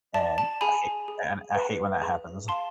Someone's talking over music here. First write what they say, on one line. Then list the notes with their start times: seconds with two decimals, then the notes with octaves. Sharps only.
And I hate and I hate when that happens.
0.14 D5 A5
0.38 A5
0.61 G#4 G#5 B5
1.08 G#4
1.55 B4
2.02 G#4
2.48 F5 A5 C6